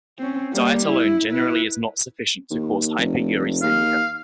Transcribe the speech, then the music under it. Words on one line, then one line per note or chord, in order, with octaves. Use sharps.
Diet alone generally is not sufficient to cause hyperuricemia.
C4 C#4
G3 A#3
E4
E4 B4
D#2
F1
D#2 F5